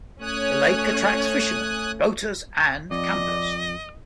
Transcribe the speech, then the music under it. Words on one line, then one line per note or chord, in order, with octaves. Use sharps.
The lake attracts fishermen, boaters and campers.
A3 C#4 C#5 G#5 D#6 F#6
F2 D5 D#5